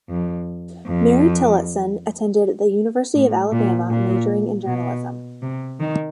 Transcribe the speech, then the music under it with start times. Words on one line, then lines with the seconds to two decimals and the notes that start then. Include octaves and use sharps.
Mary Tillotson attended the University of Alabama majoring in journalism.
0.10 F2
0.86 F2
3.15 A2
3.53 A#2
3.91 A#2
4.67 B2
5.43 C3
5.80 D#3